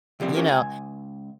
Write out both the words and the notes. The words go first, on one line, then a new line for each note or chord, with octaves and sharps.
you know,
C3 F3 G3 C4
C#4 F4 G4 A#4
C#2 G#5